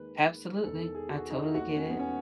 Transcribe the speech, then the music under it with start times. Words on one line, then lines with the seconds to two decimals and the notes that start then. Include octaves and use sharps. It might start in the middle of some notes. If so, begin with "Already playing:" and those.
Absolutely. I totally get it.
Already playing: D#2 D#3 G#3 B4
0.64 E1 E2 D#3 A4
0.79 A4
0.95 G#4
1.09 F#4
1.30 D#4
1.42 E4
1.54 E1 D#2 D#3 A3 F#4
1.77 C#4
1.89 B3
1.99 C#4